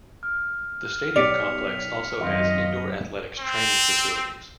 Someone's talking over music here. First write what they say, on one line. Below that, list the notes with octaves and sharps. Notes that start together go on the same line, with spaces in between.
The stadium complex also has indoor athletics training facilities.
F6
B1 G4 C#5 D5 B6 C#7 F7
G#1 F#2 D#5 F5 C6
C4